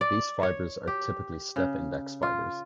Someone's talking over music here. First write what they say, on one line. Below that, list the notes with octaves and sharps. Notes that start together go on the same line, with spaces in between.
These fibers are typically step-index fibers.
D5
C#5
G4
C#3
F4